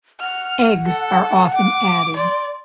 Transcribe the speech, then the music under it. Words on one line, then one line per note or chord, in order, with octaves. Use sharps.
Eggs are often added.
F#5 F6
A4
D6
D5 C6